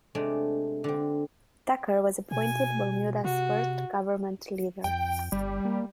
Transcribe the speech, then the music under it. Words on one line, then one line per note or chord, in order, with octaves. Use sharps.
Tucker was appointed Bermuda’s first Government Leader.
C3 G#3 A3 D4
D3 C4
B2 G#5
C3 F#4
F2 G5
G1 G3
A#3